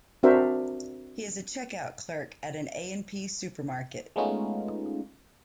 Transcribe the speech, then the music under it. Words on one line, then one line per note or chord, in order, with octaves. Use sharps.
He is a checkout clerk at an A and P supermarket.
C4 D4 F#4 A#4 C5 E5
G#3 A3 B3 C#4 D#4 F4